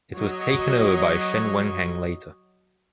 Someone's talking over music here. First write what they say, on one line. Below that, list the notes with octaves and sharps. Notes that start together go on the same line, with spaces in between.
It was taken over by Chen Wenheng later.
F#3 C#5 D#5